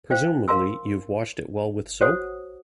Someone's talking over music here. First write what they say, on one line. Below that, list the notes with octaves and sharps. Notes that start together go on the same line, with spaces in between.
Presumably you've washed it well with soap?
C5 F5 G5
A#4 F5 A#5 C6 E6
F#4 C5 C#5 F#5 D#6